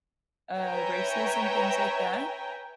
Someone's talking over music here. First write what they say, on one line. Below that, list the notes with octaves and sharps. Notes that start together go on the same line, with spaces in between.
uh, races and things like that.
B4 C#5 E5 G5 G#5 A#5